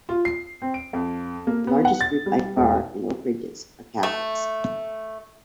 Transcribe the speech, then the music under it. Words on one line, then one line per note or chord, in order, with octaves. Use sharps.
The largest group by far in Oak Ridges are Catholics.
F4
C7
C4
D7
F2
A#3
B3
F#5
A6
G3
E1
A3